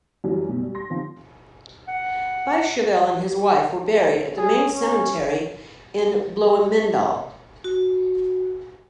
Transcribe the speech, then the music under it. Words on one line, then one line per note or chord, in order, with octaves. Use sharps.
Biesheuvel and his wife were buried at the main cemetery in Bloemendaal.
F#2 E3 F#3 G3
B1 B2
G3
C6 A#6
F3 C4 D#4
F#5
G#4
C#4
F#4